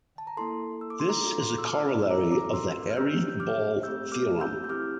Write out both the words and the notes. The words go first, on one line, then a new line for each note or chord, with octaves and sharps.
This is a corollary of the hairy ball theorem.
A5
A#5
A#3 E4 A4 A5 C6
E6
D6
C6
A#5 D6
D4 F4 A4 A#5 D6
C6
D6
E6
D6 F6
E6
C4 F4 A4 A#5 D6
A#5 D6
C6 E6
F6
D4 G4 E6 G6
G6
D6 F6
A3 C4 G4 E6 G6
D6 F6
E6 G6
G6
C4 E4 G4 D6 F6